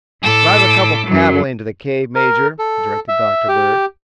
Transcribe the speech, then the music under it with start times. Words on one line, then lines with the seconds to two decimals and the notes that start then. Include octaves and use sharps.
"Drive a couple of cattle into the cave, Major," directed Dr. Bird.
0.21 A2 A4 D6
1.07 F#2 F#3
2.15 A#4
2.59 A4
3.08 E5
3.48 G4